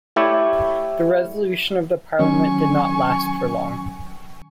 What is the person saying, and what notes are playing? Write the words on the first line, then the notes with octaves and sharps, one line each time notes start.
The resolution of the Parliament did not last for long.
A3 E4 G4 C#5 D5
D#3 F#3 C#4 G#5 C#6